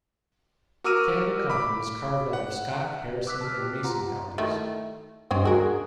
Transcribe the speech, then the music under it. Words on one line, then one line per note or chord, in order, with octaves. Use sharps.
Campbell County was carved out of Scott, Harrison and Mason counties.
F#4 A#4 D6 E6 F6 D#7
B5 D6
F#5
B4 D6 E6 F#6 B6
A5 F6
G4
F4 F#5 A#5
D#3 A3 E4
G2 C4 C#4 D#4
F#4 G#4 A#4